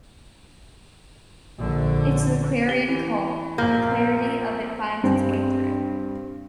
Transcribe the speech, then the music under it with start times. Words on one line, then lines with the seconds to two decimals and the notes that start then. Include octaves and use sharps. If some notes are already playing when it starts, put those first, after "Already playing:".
It's the clarion call, the clarity of it finds its way through.
1.58 A#1 D3
2.67 G4 G7
2.89 E3
3.58 A#1 A#3 G6
5.03 G2 C4